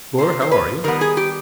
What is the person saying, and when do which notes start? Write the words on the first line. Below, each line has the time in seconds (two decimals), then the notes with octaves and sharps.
Gore, how are you?
0.18 C3 F3 A#3 C5
0.42 C5
0.51 B4
0.84 D#3 G3 B3 A#4
1.01 G#4
1.17 G4